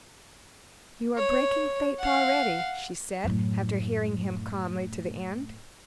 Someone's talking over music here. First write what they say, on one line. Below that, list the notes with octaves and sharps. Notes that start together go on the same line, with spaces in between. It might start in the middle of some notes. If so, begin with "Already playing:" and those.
"You are breaking faith already," she said, after hearing him calmly to the end.
C#5
F5 F#5
F#2 A2